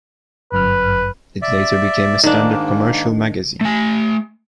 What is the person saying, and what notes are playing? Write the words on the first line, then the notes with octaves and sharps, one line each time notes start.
It later became a standard commercial magazine.
G1 F#2 B4 F6
D5 E5
G#2 D#3 A#3 D4
A3 G#5